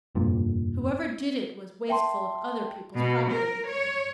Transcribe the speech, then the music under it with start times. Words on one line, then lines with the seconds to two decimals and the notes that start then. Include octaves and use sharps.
"Whoever did it was wasteful of other people's property."
0.15 F1 A#1 G2 A#2
1.89 E5 G5 A5 C6
2.96 B2
3.31 A#4
3.66 C#5